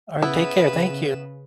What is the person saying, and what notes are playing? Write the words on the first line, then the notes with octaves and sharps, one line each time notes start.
All right, take care, thank you.
C#3 B3 E4 B4 E7